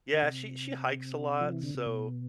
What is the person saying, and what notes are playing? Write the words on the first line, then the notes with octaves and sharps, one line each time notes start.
Yeah, she she hikes a lot, so
D3
C3
F3
E3
D3
C3
B2